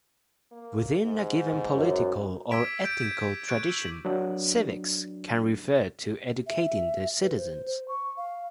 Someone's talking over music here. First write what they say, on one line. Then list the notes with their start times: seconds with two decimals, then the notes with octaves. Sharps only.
Within a given political or ethical tradition, "civics" can refer to educating the citizens.
0.51 A#3
1.04 G#2
1.75 F#2
2.50 D6 E6 G#6 B6 D7 E7
2.85 G6 A6 D7
3.02 G#6 B6 E7
3.47 C#6 F#6 G#6 D7
3.69 E6 F#7
4.05 F#3 D4
6.46 E5
7.21 B4
7.37 C5
7.66 C5
7.88 C#6
8.17 F5